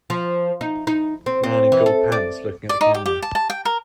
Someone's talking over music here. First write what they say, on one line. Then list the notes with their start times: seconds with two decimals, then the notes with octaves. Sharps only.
Man in gold pants looking at the camera.
0.10 F3
0.61 D#4
0.87 D#4
1.26 C4
1.43 C4
1.72 E3
1.86 A4
2.12 D5
2.69 D5
2.81 D#4
2.94 G4
3.06 G4
3.22 A5
3.35 A5
3.50 G5
3.65 A#4